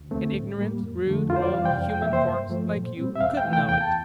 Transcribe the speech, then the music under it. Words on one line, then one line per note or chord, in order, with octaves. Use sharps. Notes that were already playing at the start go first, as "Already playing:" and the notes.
An ignorant, rude old human horse, like you, couldn't know it.
Already playing: D2
D3 A3 C4
A2
G3 A#3
F2
D3 F3 A3
F2 F4
C5
D5
C3 E3 G3 F5
G5
F2
G5
C3 E3 A#3 E5
C5
G2
F3 A3
A#2
G3 C4
E5
E2 F5
G5
C3 E3 A3
G5
E2 G5
A5